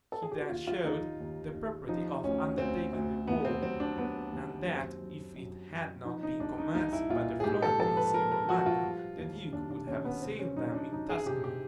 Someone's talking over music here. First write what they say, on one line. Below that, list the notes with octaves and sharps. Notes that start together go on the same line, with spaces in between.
He then showed the propriety of undertaking the war; and that if it had not been commenced by the Florentines in Romagna the duke would have assailed them in Tuscany.
A4
G#4
G4
F#4
D#2 F4
F4
D#2 D#4
D#2
D#2
F3 D#4
D2 C#4
D2 C4
D2
D#2 B3
C4
F#3 C4
D4
F#3 B3
D#2
F#2 C4
F#2
F#2
F#2
F3 D#4
D#4
C2 D4
D#4
C2 D#4
E4
A#2 F4
G#4
G#2 G4
A4
F3 A4
B4
F3 A#4
A#4
F3 F#4
F4
G3
D#2
D#2 D4
D4
D#2 C#4
B3
C3 C4
C#4
F#3 D#4
D4
F#3 D#4
G#4
C3 G4
G4